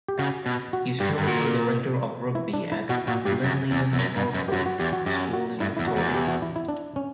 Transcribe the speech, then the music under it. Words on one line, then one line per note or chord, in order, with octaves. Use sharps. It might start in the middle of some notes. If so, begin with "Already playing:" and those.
He is currently Director of Rugby at Glenlyon Norfolk School in Victoria.
G4
C#3 F#4
B2
F#4
G2 G4
G2
A#2 F#4
E4
D4
E4
B2 F#4
A#2 F#4
G2 G4
F#2
E2
E2
F#2
G2
F#2
G4
F#2 F#4
F#4
E2 G4
F#4
F#2 G4
F#4
G2 E4
E2 E4
F#4
E2
G4
F#4
E4
E4
D4
C#4